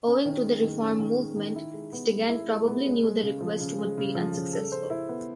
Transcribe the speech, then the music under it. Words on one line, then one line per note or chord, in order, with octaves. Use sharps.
Owing to the reform movement, Stigand probably knew the request would be unsuccessful.
C#4
D#3
G#3
D#3
C#4
D#3
G#3
D#3
E4
G#3
B3
G#3
E4
G#3
B3
G#3
G#3
C#3
F3
C#3
G#3
C#3
F3
C#3
A4
C5
E4
B3